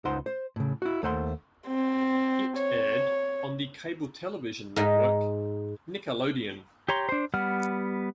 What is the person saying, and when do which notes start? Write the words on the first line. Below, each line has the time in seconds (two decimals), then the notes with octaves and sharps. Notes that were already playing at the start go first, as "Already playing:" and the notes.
It aired on the cable television network Nickelodeon.
0.05 C#2 D#4 C5 F#5 C6
0.26 C5
0.56 A2 C#3
0.82 E4 F#4
1.03 D#2 A3 C5 F#5 B5 C6
1.67 C4
2.57 C#5
4.76 G#2 D#4
6.89 G4 C#5 A#5 C6
7.09 D4 C5
7.34 G3 B3 F#5 F6